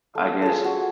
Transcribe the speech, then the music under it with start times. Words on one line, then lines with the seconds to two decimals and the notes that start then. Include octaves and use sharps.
I guess,
0.15 A3
0.42 F4 G#4 A4
0.64 F#4